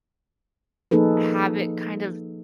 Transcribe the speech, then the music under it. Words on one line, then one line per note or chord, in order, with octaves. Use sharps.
Have it, kind of
F3 A#3 D#4 G#4 A4 B4